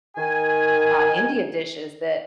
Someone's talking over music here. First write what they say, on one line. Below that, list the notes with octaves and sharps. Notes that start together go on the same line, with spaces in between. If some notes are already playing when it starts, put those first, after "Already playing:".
uh, Indian dishes that,
D#3 G#5